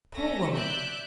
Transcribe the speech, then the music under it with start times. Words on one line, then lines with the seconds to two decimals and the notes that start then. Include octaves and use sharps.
"Poor woman!"
0.15 A3 C#4 A#6
0.55 D5 E5 F#6 G6